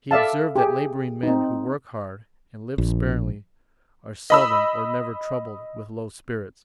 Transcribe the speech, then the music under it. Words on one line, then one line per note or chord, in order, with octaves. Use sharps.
He observed, that labouring men who work hard, and live sparingly, are seldom or never troubled with low spirits.
A4 D5 E5 F5 A5
G4 G#4
C4 D#4
A#1
D#5 B5 E6